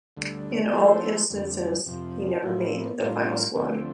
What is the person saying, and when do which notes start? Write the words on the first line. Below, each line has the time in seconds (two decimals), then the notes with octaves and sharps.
In all instances he never made the final squad.
0.17 D2 D3 G3
0.73 F3 A3 E4 A4 C5
1.30 F2 D3 G3
1.86 F2 C3 F3
2.43 A2 F3 A#3 E4
2.99 A2 G3 D4 F4 A#4
3.55 D2 D3 F3 A3 C4